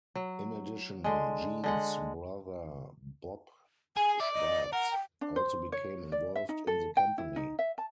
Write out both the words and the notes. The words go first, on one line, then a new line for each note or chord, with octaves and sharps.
In addition, Gene's brother Bob Schwartz also became involved in the company.
F#3
D3 G#3
D3 G#3 F#5
G#4 G#5
D5 E5
D#5
A#4 F#5
G5
D4
C5
C#5
D5
E5
D#4
A4
G5
E4
D#4
E5
A5